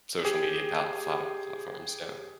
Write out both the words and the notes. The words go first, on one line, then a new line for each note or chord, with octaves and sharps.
social media palt flaut platforms, yeah.
G4 G#4